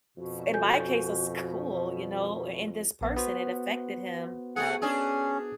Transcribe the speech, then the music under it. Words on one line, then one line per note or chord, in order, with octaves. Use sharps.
f in my case, a school, you know, and this person, it affected him,
F2 B2 F#4
A4 G#5 G6
A#1 B3
B3 F#4 C5
C3 A3 G#4 F#5
C#4 D4 G#4